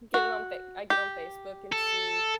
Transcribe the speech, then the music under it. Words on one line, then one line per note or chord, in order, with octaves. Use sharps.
Get it on Fa I get on Facebook and see,
F#4
G4
A4